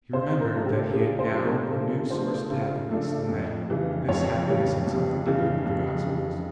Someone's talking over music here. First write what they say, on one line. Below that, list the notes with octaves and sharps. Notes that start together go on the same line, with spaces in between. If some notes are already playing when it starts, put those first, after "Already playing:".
He remembered that he had now a new source of happiness and that this happiness had something to do with the Gospels.
C#3 C5
A#4
F3 A3 D4
G4
C#3 G#4
C5
F3 A3 D4
A#4
C#3 A4
F3 A3 D4 C5
C#3
F3 A3 D4
F2
C#3 E3 G3
F2 C#5
C#3 E3 G3
F2
C#3 E3 G3
F2
C#3 E3 G3